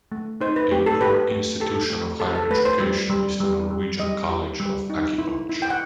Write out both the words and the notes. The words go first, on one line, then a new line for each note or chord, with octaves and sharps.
A newer institution of higher education is the Norwegian College of Acupuncture.
A3
D#4 C5
B4
A3 G4
A4
G4 B4
A3
G4 A4
A3
G4 A4
A4
A3 B4
C5
G3
G3
G3
G3
G3 D#5
G4
G3
D#4
E4
E4
G5
F#5